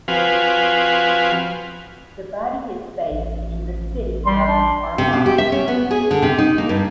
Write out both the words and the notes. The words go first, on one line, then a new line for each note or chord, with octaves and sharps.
The body is based in the city of Armagh.
F3 C4 F#4 B4 F5 G#5
A1
G3 C6
D4
C3
B2
G4
E5
C#4
B3
G#4
D3
C3
D#4
A#3
G2